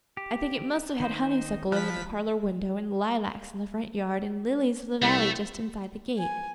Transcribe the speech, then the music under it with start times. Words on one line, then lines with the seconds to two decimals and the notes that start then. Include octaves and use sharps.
I think it must have had honeysuckle over the parlor window and lilacs in the front yard and lilies of the valley just inside the gate.
0.17 G4
1.00 D#3 D#4 C5
1.72 F3 B5 F6 F#6 B6
5.02 C2 A3
6.18 G#5